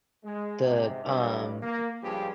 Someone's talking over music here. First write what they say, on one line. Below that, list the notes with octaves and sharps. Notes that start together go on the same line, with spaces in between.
the, um
G#3
G#2 C3
B1 G2
A#3
C#2 G2 F3 F4 G4 G#4